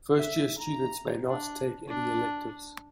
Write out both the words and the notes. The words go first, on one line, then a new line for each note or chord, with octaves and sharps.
First-year students may not take any electives.
E5
A#5
D4
D4